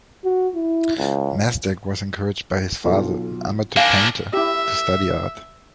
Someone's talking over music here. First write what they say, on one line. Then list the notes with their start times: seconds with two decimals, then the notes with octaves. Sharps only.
Mesdag was encouraged by his father, an amateur painter, to study art.
0.24 F#4
0.54 E4
0.97 C#2
2.84 B1 F4 A4
3.77 A#3 D4 F5 G#5
4.33 E4 G4 E5